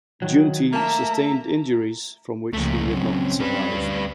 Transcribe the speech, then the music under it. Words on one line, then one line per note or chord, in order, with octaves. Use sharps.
Giunti sustained injuries from which he would not survive.
D#3 F#3
A3 A#3 E5 A5 A#5
C#2 F3 A3 A#3
C#2 F#3 C4 C#4
G3 B4
D2